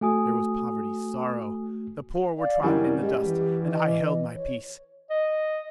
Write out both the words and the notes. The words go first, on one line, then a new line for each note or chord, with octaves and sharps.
There was poverty, sorrow; the poor were trodden in the dust, and I held my peace.
A3 F#4 A4 G#5 D#6
D5 F5
F#2 D#3 G3 E4
G#3 G4
E3
D#5
C#5
D#5